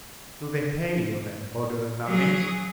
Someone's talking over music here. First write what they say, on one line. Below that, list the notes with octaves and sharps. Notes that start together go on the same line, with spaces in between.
"Do they pay you, then, for doing nothing?"
F#3 G#4